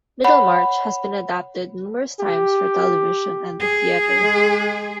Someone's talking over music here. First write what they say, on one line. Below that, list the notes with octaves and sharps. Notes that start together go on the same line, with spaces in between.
"Middlemarch" has been adapted numerous times for television and the theatre.
C#5 F#5 B5
G4
G#4
G#3